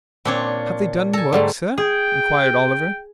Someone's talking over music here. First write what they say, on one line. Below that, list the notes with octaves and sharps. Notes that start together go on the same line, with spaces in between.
'Have they done work, sir?' inquired Oliver.
A#2 C4 D4 C#5
A4 G#5 A#5
G#2 D3 G3 A3
G#4 G5